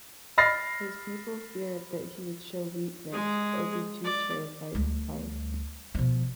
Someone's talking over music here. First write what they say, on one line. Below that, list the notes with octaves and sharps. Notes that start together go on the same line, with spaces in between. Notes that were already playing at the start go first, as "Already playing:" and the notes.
His people feared that he would show weakness or be too terrified to fight.
B5 F6 A6 A#6 C7
G#3 G#4
D5
D2 G3
B2 F3